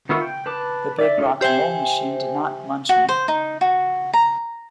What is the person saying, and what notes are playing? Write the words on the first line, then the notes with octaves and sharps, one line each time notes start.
The big rock 'n' roll machine did not munch me.
D#3 B3 F4 E5 C#6
G5
B4 A5 D6
D5 E5
C#4 D#4 F4 A4
G4 C5 E5 G5 G#5
F#4
C5
D#4
F#4
A#5